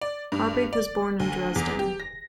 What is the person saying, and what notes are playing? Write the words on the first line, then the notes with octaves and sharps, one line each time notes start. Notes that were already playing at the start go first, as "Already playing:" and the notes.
Harbig was born in Dresden.
D5
G2
D5
D2
E2
G4
A#6